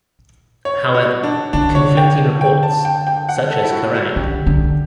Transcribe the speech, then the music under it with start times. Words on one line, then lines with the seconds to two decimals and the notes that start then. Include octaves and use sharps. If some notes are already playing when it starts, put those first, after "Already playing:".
However, conflicting reports, such as Kerrang!
0.65 C#5
0.94 F#4
1.23 D4
1.53 D3 D4
1.75 C#5
1.97 G5
2.41 G5
2.63 A5
2.85 G5
3.07 G5
3.29 F#5
3.50 A4
3.63 E4
3.73 F#4
3.94 F#4
4.16 D3 G4
4.46 D3